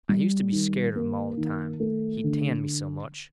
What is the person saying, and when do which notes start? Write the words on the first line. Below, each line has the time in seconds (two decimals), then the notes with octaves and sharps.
I used to be scared of him all the time, he tanned me so much.
0.09 G3
0.52 D#3
0.95 A#3
1.37 D#3
1.80 A3
2.24 D3